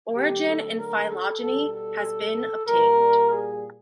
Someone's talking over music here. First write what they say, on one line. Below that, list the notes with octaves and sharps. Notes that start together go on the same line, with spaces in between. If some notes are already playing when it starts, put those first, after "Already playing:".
Origin and phylogeny has been obtained.
D3 F#3 A3 G4
A4
A#4
A4
B2 G3 A4
A4
A#2 G3 A#4
G#4